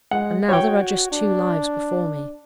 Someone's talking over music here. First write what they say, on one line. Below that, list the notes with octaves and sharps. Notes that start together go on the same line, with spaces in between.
And now there are just two lives before me.
G#3 F#5
F#4 C#5 G5
D4